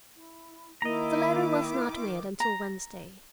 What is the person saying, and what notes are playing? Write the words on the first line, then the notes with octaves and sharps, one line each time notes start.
The letter was not mailed until Wednesday.
E4
D#3 A#3 E4 D#5 A#5 D6
A#5